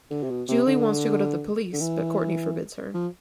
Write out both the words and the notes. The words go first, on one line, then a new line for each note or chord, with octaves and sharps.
Julie wants to go to the police, but Courtney forbids her.
D3
C3
B2
C3
D3
D3
E3
F3